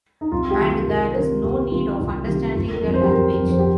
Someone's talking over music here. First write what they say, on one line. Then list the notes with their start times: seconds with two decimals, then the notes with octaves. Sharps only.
And there is no need of understanding the language.
0.21 D#4
0.32 C2 F4
0.50 G4
0.60 C3 D#3 G3
0.68 G4
0.87 C2 A#4
1.15 C3 D#3 G3 A#4
1.43 C2 G4
1.71 C3 D#3 G3 F4
1.99 C2 F4
2.28 C3 D#3 G3 G4
2.56 G1 F4
2.74 A#4
2.83 F2 F3 C4
2.94 C5
3.03 G4
3.12 G1 A#4
3.41 F2 F3 C4
3.49 C5
3.59 G4